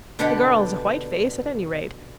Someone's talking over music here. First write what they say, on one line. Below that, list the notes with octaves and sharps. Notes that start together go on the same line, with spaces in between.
The girl's a white face at any rate.
B2 D3 D4 G4 F#5 B5